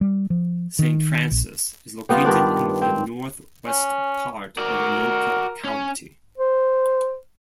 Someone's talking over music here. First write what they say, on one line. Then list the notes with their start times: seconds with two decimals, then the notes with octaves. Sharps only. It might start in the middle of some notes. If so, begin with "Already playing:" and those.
Saint Francis is located in the northwest part of Anoka County.
0.01 G3
0.30 F3
0.79 D#3
1.31 A#1
2.09 G3 B3 D#4 F4
2.25 G2 D#3 D4 D5
2.82 C4
3.67 C#4
4.58 F#4 A#4 D5
5.64 C#4
6.38 C5